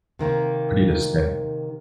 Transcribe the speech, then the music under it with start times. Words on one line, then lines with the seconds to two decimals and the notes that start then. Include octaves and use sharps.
pretty distinct,
0.19 C3 D#3 A#3